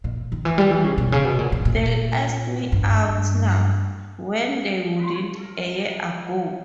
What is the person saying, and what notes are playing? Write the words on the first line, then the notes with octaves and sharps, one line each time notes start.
They'll ask me out now, when they wouldn't a year ago.
A#2
D#3
E3
G3
E3
C#3
B2
C#3
B2
A#2
A#2
A#2
G2